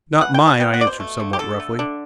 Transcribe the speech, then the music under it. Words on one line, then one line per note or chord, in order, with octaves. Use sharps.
"Not mine," I answered somewhat roughly.
E3 F#5
G5
A3
A5
B3 G5
F#5
B2 D5
C5
A3
D3
G4
D3 A4
A3
D3 D4